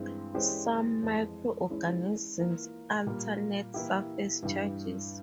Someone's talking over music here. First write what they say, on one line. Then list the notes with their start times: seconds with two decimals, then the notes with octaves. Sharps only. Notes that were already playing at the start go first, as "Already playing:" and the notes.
Some microorganisms alter net surface charges.
Already playing: G2 E3 G#3 C4
0.34 E3 G#3 C#4 G4 C5
1.03 F2 E3 G#3
1.70 E3 G#3 C#4 E4
2.38 E3 A#3 F4 A#4
3.06 A#2 G3 A#3 F4
3.74 E3 A#3 E4 G4
4.43 G2 E3 G3